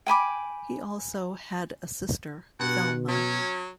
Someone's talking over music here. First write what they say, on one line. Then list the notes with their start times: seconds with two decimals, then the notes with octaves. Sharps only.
He also had a sister, Thelma.
0.07 G5 G#5 B5 D6
2.60 G2 B2 F#5
3.09 F#3 C#4